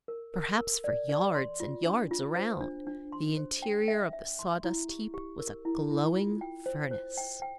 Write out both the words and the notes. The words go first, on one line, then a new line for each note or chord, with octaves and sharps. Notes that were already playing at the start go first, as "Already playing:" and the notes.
Perhaps for yards and yards around, the interior of the sawdust heap was a glowing furnace.
A#4
A#4
A#4
D5
D5
C6
F4
D4
F4
C5
D4
D4
C6
C5
G5
E5
E5
C6
E4
G4
G4
A#4
E4
E4
F4
G5
C5
C5
G5
G5